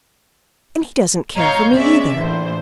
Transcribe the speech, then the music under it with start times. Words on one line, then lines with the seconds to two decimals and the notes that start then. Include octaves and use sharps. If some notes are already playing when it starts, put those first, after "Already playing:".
And he doesn't care for me either.
1.36 C#5 D#5 F5 A#5 C#6 G6
1.77 G#3 B3 C#4 D5 E5
2.17 A#1 A2 E3 C5